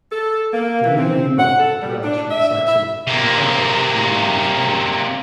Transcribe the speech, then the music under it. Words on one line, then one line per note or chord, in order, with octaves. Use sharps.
The name Newbottle derives from the Saxon 'New Battle' meaning 'new settlement'.
A4
A#3
E3
C4
F#5
A4
G3
D4
E5
E5
C3 A#3